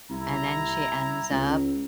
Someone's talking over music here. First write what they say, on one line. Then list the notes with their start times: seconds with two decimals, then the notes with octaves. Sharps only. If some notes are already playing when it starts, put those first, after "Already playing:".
and then she ends up
0.10 C2 E4 A#5
1.31 C#2